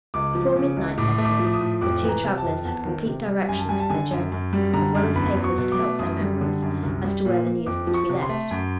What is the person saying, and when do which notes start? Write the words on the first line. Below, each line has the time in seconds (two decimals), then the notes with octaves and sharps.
Before midnight, therefore, the two travellers had complete directions for their journey, as well as papers to help their memories, as to where the news was to be left.
0.14 C#2 D6
0.35 F3
0.56 C#3
0.77 C#2
0.98 A2 D6
1.18 A3
1.25 D6
1.39 F3
1.46 D6
1.53 D#6
1.61 A2
1.81 F2 D6
2.03 E3
2.08 A#5
2.23 C3
2.38 A5
2.44 F2
2.64 E2 A5
2.85 D#3
3.06 C3
3.28 G3
3.49 F#2 G#5
3.59 A5
3.69 G3 G#5
3.80 A5
3.90 D3 G#5
4.11 F#2
4.32 F#2
4.53 G3
4.73 D3 A#5
4.95 F#2
5.15 E2 B5
5.37 F#3
5.44 C#6
5.58 B2
5.72 D6
5.79 A3
5.99 F#2 D#6
6.20 G3
6.41 D3
6.62 F#2
6.83 C2
7.04 G3
7.25 A#2
7.46 A#3
7.66 F2 D6
7.87 F3
7.94 C#6
8.09 C3
8.22 C6
8.29 A3
8.51 F#2